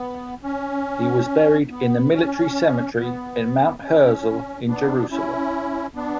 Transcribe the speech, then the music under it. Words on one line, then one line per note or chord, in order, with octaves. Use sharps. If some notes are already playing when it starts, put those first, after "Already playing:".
He was buried in the military cemetery in Mount Herzl in Jerusalem.
Already playing: B3
C#4
B3
C#4
B3
C#4
B3 D4
C#4 E4
B3 D4